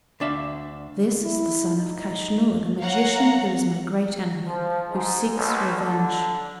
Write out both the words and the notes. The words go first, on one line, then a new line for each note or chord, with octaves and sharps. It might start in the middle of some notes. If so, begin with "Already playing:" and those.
This is the son of Kaschnur, the magician, who is my great enemy, who seeks revenge.
D2 D4 E5 F5
E4
D#4
C#5 F5 F#5 A#5
F3
G#2
B1
D3